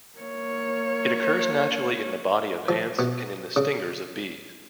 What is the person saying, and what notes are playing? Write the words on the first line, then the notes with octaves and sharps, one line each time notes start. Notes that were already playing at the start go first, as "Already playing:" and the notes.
It occurs naturally in the body of ants and in the stingers of bees.
A#3 C#5
F3
B2
C#3